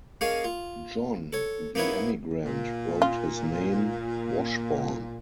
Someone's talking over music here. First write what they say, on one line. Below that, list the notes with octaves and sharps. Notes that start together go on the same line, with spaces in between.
John the emigrant wrote his name "Washborn".
A#3 C#4 G#4 C#5 D#5 F5
F4
A4 C#5
A#3 B3 D#4 E4 B4 C#5
A#2
F4